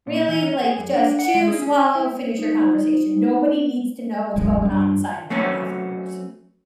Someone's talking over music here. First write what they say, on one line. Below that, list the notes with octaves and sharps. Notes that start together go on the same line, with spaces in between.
really, like, just chew, swallow, finish your conversation, nobody needs to know what's going on inside of that mouth of yours.
A#2
E3
C#4
G#4
F#2
D4
F#5
G#3
G#4
C#4
G#5
E4
D#4 F4 C5
D1 B1 F#2 G#3
G2
F#3 A3 C4 C#4 F#4 B4